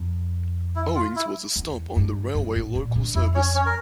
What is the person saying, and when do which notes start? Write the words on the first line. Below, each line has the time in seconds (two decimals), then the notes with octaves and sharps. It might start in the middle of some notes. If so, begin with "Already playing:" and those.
Owings was a stop on the railway local service.
Already playing: F2
0.76 E4
0.96 F4
1.16 E4
1.56 E2
1.96 G2
2.35 G2
2.56 A2
2.75 A#2
2.96 D3
3.15 F2 E4
3.35 C#4 C#5
3.55 C#4 C#5
3.66 A#4